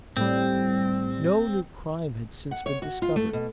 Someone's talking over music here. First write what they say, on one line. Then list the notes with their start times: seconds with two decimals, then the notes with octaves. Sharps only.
No new crime had since been discovered.
0.17 A2 G3 C4
2.51 F#5
2.66 C#5
2.82 F#4
3.02 F4
3.16 A3
3.33 B2